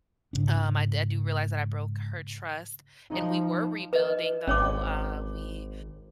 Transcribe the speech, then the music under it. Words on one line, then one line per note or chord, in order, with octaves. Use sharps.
Um, I di I do realize that I broke her trust, and we were rebuilding though, uh, we
G#2 C#3 D4
F3 D#4
B4 D#5
G#1 C#4 C#5 D6